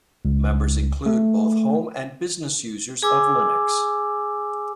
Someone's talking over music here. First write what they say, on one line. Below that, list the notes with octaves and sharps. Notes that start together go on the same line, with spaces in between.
Members include both home and business users of Linux.
C#2
A3
G#4 G#5 D6 E6